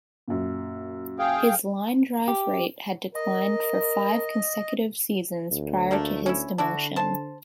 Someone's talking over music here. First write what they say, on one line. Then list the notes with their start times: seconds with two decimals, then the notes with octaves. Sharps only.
His line-drive rate had declined for five consecutive seasons prior to his demotion.
0.28 F#2 A#2
1.19 G#4 F5 G5
2.28 G4
3.15 A#4 D#5
5.51 D2
5.91 A3 A#3 D4
6.26 C#4 E4
6.58 D3 D4 E4 F#4
6.96 C5 A5